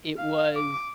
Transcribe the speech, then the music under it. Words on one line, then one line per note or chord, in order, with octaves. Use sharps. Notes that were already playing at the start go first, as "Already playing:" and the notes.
It was
F5
D6